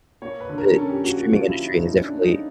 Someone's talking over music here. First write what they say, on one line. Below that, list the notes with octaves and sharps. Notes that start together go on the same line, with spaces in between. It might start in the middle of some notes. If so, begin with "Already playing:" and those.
the streaming industry has definitely,
A#3 C#5
B4
D3
A#4
C#4 A4
G4
A#3 F#4
F#4
F3 F4
E4
F3
D#4
C#4 D#4
D4
A#3
D#4